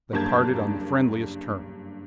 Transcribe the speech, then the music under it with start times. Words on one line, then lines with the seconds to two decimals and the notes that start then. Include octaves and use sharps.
They parted on the friendliest terms.
0.13 F#1 G2 A#3 A5 G6 G#6